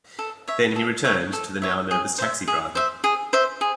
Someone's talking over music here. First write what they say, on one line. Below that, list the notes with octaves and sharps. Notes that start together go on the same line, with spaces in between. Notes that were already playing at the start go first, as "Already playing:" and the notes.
Then he returned to the now nervous taxi-driver.
A4
C#5 E5
A4
C#5 E5
A4
C#5 E5
G#4
C5 E5
G#4
C5 E5
G#4
C5 E5
G#4